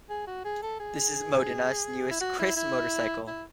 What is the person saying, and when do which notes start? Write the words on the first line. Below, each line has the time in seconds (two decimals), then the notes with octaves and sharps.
This is the Modenas Newest Kriss Motorcycle.
0.09 G#4
0.27 F#4
0.44 G#4
0.62 A4
0.79 G#4
2.10 E4
2.21 F#4
2.39 E4
2.56 E4
3.27 E4